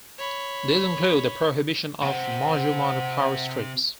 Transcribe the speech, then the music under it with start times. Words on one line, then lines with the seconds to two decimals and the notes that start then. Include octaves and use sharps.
These include the prohibition of module-mounted power strips.
0.18 C#5 B5
2.03 C3 C4 F#5